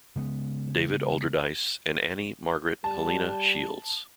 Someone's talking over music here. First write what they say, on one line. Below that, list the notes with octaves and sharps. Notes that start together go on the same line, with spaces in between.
David Alderdice and Annie Margaret Helena Shields.
C#3 G#3 B3
G3 A5